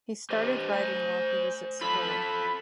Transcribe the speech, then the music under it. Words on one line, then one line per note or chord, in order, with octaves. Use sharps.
He started writing while he was at school.
G4 C5 D#5
C5 G#5
F4 A4 F5 B5